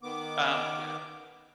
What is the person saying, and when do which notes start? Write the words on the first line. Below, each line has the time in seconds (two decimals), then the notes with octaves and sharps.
Um, yeah.
0.03 D#3 B3 D6